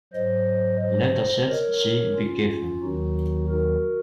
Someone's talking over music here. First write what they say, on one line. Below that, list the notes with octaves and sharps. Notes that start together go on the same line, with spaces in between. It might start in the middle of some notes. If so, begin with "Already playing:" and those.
Let a set "C" be given.
G#2 F#3 C5 D#5
C5 D#5
A#4 C#5
C#4 F4
D#2 D#3 F#3 D#4 F#4
F#4 A#4